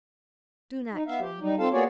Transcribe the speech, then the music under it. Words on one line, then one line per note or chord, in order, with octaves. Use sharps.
Do not kill me.
D#4
B3 E5 F5
G4
G3 D#4
C4 F4 A4 F5 A5
A#3 B3 F#4 G#4 C#5 D5